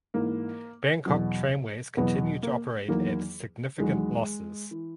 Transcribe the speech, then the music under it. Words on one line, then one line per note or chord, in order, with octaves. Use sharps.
Bangkok Tramways continued to operate at significant losses.
G#2 E3 A#3
E2 B2 F#3
E2 B2 F#3 B3
A#3
E2 D#3 F#3 A#3
E2 D#3 F#3 G#3
E3